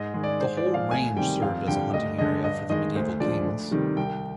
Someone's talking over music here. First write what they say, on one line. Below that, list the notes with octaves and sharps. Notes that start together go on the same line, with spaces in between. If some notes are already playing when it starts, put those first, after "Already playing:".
The whole range served as the hunting area for the medieval kings.
Already playing: G#2 D#5
D#3 G#3
D5
G#2 C5
D5
F3 G#3
F5
D2 G#5
C3 D#3 G3 G5
F2 F5
D3 G3 G5
D2 D#5
D3 G#3 D#5
G2 D#5
D#3 G#3 D#5
D2 C5
D3 F3 G#3 D5
D2
C3 D#3 G3
C2 G5